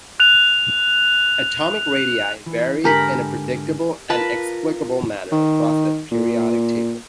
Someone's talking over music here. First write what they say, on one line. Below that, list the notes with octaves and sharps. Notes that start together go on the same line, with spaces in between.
Atomic radii vary in a predictable and explicable manner across the periodic table.
F#6 F7
E3
G#2 D3 G4 A#4 G#5 B5
F4 A#4 B4 A5 B5
D#3
A#2